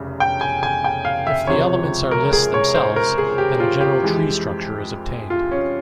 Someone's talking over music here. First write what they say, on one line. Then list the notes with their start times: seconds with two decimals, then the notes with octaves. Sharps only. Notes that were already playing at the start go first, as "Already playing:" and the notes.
If the elements are lists themselves, then a general tree structure is obtained.
Already playing: F1 E2 C#3 G3
0.20 G5
0.41 G#5
0.63 G#5
0.84 G5
1.05 F5
1.27 E5
1.47 C#2 C3 F3 G#3 C#5
2.11 A#4
2.33 G#4
2.54 C#5
2.74 C5
2.96 A#4
3.18 G#4
3.38 G4
3.60 F4
3.81 G4
4.02 F2 E3 G#3
5.30 F4
5.51 C#4